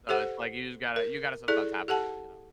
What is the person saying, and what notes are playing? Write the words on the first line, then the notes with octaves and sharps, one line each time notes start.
So, it's like you just gotta you gotta sometimes have that, you know?
G4 A4 C5 F#5
A#4
E4 G#4 A4 D5
G4 A4 F#5 A5